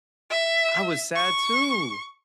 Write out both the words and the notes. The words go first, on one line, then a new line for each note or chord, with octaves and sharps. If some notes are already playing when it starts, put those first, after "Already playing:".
I was sad too!
E5
C#6